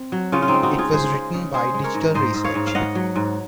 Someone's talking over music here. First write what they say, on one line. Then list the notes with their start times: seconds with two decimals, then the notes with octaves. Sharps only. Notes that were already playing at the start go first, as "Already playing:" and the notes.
It was written by Digital Research.
Already playing: C4
0.12 F#3
0.32 C#3 C#4 F4
0.42 F4
0.48 C4 D#4
0.54 G#3
0.63 D#4 F#4
0.73 C#3
0.78 F4 G#4
0.93 G#3 G#4 C5
1.13 G#3
1.34 C#3
1.54 G#3 G#4 C5
1.74 G#3
1.84 A#4 C#5
1.95 G#2
2.14 G#2 C5 D#5
2.34 G#2
2.44 C#5 F5
2.55 G#2
2.67 F5
2.75 G#2 D#5 F#5
2.95 F#3
3.16 G#2